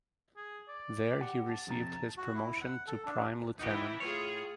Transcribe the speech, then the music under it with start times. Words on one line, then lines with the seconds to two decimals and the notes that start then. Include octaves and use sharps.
There he received his promotion to prime lieutenant.
0.36 G#4
0.68 D5
1.20 G4 F#5
1.49 A5
1.67 F2 C3 A#5
2.17 F#4
2.35 E4
2.61 F#5
2.87 A4
3.06 D4
3.59 E3 D#4 E4 F#4 G4
4.00 A2 F4 G#4 C#5